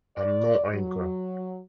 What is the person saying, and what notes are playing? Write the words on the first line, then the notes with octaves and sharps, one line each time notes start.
I'm no oinker.
D5
F#3